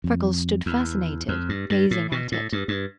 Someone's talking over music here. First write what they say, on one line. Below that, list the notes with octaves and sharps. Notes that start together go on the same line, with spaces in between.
Freckles stood fascinated, gazing at it.
F2
E2
F2
G2
G2
A2
B2
A2
G2
G2